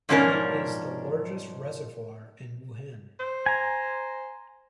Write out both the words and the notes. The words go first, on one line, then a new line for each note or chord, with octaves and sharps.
It is the largest reservoir in Wuhan.
G#2 B2 F3 C#4 D4 A#4
C5
G#5 A#5